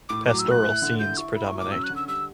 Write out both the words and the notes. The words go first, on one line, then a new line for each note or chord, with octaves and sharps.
Pastoral scenes predominate.
A2 D6
F#3 D6
E6
A2
F#6
E4
D3
E4 G6
E4 C#6
E4 B5
C#6
F#3
D6
C#4 E6
F#6
D3
E6
G3 E6